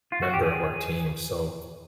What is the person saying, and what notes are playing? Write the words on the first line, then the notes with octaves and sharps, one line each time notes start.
member of our team, so,
F4
F#4
G4
G#4